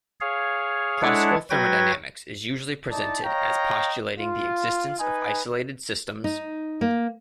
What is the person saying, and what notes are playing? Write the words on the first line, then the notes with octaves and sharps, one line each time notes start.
Classical thermodynamics is usually presented as postulating the existence of isolated systems.
G#4 C#5 F5
G#3 D4 E4 A4 C#5 F#5
F#3 F#4 B4 G5 G#6 A#6
D#4 E4 D5 A5
C#5 D#5 F5 G5 A#5
F4
D#4 B4 G#5
D#4
A#3